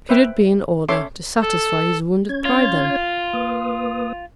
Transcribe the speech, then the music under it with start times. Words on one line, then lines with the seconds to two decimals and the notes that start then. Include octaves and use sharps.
Could it be in order to satisfy his wounded pride, then?
0.09 B4 C5 E5 G5
0.89 C#4 A4 C#5 E5 C6 D6
1.42 A4
2.29 C#4 C#5 G#6
2.45 F4
3.33 A#3 B4 D#6